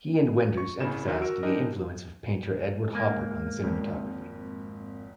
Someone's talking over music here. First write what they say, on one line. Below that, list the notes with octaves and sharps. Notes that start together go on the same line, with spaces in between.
He and Wenders emphasized the influence of painter Edward Hopper on the cinematography.
C#6
C2 C#3 E4 E7
F#2 D3 D#3
F#4 A#4 E6 D7
E3 D4 D#4 G4 A#4 D#5
G#2 A#3
G#1 F2